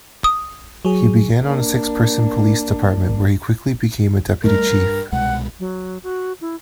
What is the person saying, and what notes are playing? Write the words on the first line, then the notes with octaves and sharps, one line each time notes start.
He began on six-person police department where he quickly became a deputy chief.
D#6
F#3 G#4
A#3 D4
G3 A3 A#4
G2
C2 B2 G#3 F#5
F#3
F#4
E4